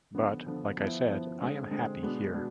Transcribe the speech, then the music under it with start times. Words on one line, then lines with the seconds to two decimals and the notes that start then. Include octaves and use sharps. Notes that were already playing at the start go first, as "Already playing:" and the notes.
But like I said, I am happy here.
0.14 D3 F3 B3
0.46 D3 F3 B3
0.77 F3 B3 E4
1.09 F3 B3 E4
1.40 D3 G#3 C4
1.71 D3 G#3 C4
2.02 B2 G#3 B3 D4
2.33 B2 G#3 B3 D4